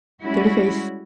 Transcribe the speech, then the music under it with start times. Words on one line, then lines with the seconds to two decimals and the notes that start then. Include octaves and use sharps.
Dirty Face!
0.22 G3 G#3 C#4 E4 F#4